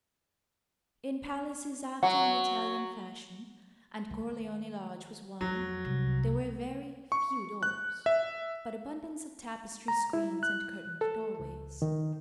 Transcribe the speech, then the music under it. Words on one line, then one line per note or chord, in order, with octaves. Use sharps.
In palaces after the Italian fashion, and Corleone Lodge was one, there were very few doors, but abundance of tapestry screens and curtained doorways.
F#3 F#5
D#3 G#3
F2 F#3
C2
C#6
F#6
E5
A#5
E4
F#6
A4
C#2
D#3